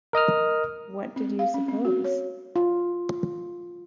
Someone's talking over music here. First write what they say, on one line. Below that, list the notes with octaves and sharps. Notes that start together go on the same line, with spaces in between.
What did you suppose?
A#4 D#5 D#6 F6
C4
F5
C#4
C4
F#4
C#5
F4